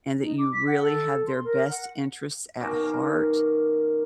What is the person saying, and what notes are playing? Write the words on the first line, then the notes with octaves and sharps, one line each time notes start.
and that you really have their best interests at heart,
D#4
D6
B6
F#5
A4
C6
A#4
F#5
B2 D#3 A#3 C#4